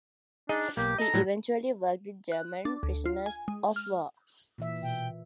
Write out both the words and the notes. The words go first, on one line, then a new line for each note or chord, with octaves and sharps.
He eventually worked with German prisoners of war.
D4 D#4 G#4 D#5
B1 A#3 G4
A4 D#5 A#5
A2 F#3 G3
F#6
D4
D2
F4
G#5
G#3
F6
A#2 E3 E5
B2 G5